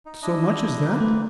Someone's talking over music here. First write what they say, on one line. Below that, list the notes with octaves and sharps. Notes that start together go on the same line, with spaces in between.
"So much as that?"
D#4
D4 E4 D#5
A#3 C4 B4
A3